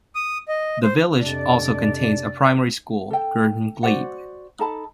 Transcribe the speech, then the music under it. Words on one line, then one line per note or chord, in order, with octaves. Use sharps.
The village also contains a primary school, Girton Glebe.
D#6
D#5
C5
F2 C3 D4 D5
A4 G5
F#4 C5 D5 F#5
D#4 A4 A5 B5